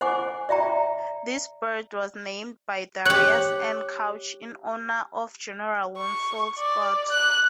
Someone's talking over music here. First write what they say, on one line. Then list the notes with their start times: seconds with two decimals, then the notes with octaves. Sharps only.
This bird was named by Darius N. Couch in honor of General Winfield Scott.
0.01 C5 F#5 G#5 D6
0.49 D5 E5 G5 A#5
3.06 G4 C#5 F#6 F#7
5.98 C#6
6.58 D5
7.10 F#6